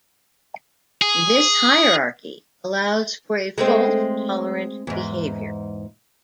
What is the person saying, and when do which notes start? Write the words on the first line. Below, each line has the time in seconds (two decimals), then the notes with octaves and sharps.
This hierarchy allows for a fault tolerant behavior.
1.02 G#4
3.58 G#3 A3 C4
4.87 E2 G#2